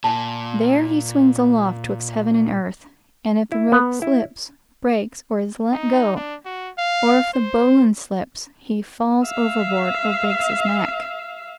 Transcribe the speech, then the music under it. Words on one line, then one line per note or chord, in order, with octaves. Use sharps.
There he "sings aloft 'twixt heaven and earth," and if the rope slips, breaks, or is let go, or if the bowline slips, he falls overboard or breaks his neck.
A#2 G#5 A5
E4
B3
E4
D#4
D4
F#4
F5
C5
E5 F5